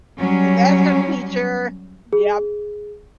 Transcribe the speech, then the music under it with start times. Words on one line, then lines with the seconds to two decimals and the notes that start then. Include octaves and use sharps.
Yeah, that's a teacher. Yep.
0.18 F#3 G3 C#4
2.13 G#4